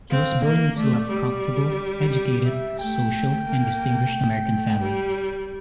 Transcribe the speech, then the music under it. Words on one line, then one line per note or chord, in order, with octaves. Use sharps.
He was born into a comfortable, educated, social, and distinguished American family.
C4 F5
A#3
A3 D5
G3
D5
E5
A3 G5
A#3
A3
A3
G3